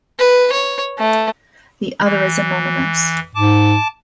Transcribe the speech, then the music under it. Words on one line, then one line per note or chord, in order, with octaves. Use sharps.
The other is anonymous.
B4
C#5
A3
E3
G#2 A5 D6